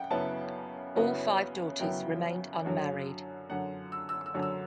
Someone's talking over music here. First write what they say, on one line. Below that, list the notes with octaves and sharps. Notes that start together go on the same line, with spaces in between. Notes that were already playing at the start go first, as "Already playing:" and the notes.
All five daughters remained unmarried.
Already playing: F#2 C#3 E4 F#5 G5
F#2 C#3 F#3 B3 E4 A5
F#2 C#3 F#3 B3 E4
F#2 C#3 F#3 B3 E4 G5
F#2 D3 F#3
F#2 D3 F#3 F#5
E6
E6
E6
F#2 D3 F#3
E6